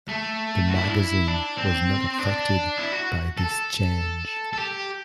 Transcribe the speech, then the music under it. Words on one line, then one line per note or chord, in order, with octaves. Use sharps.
The magazine was not affected by this change.
A3
F#4
E4
D4
E4
D4
C4
D4
E4
F#4
A4
A4
G4